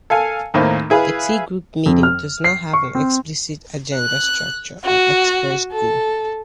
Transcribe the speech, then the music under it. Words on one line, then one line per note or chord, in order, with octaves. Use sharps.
A T-group meeting does not have an explicit agenda, structure, or express goal.
A4 F5 G#5
D#2 A2 D#3 A#3 C4
E4 G#4 B4 F5
F2
F6
C7
C#6
C4
F#6
F#4
A4